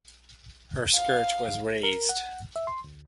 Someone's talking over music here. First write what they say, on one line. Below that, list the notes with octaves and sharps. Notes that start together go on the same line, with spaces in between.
Her skirt was raised.
F5
A#4
F#5
E5
C6
D2